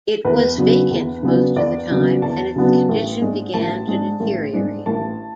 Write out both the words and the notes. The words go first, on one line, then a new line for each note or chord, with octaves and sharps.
It was vacant most of the time and its condition began to deteriorate.
E2 B4
C#3 F#3 B3 D4
E2
C#3 F#3 B3 D4
E2 D5
C#3 F#3 B3 D4
E2 A5
C#3 F#3 B3 D4
A1
G#2 G#3 D4
A1 A5
G#2 G#3 D4
A1
G#2 G#3 D4
A1 A5